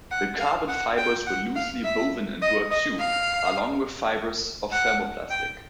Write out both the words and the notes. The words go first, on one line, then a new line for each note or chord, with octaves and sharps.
The carbon fibers were loosely woven into a tube along with fibers of thermoplastic.
F#5
F5
F#5
G5
F#5
F5
E5
D#5
D#5
F5
F#5
G5